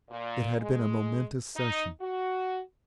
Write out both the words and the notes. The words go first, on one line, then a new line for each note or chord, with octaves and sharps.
It had been a momentous session.
A#2
G#3
D#4
F#4